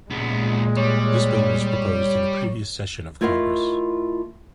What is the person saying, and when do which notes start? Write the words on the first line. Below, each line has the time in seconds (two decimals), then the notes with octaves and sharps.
This bill was proposed in a previous session of Congress.
0.11 C#2 A#2 G#3 B3
0.76 G3 C#5
3.21 A3 E4 F4 A#4 D#5 F5